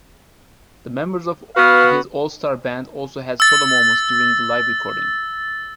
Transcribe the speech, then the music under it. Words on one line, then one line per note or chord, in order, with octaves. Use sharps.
The members of his All-Starr Band also had solo moments during the live recording.
B3 F#4 B4 F5
E6 A6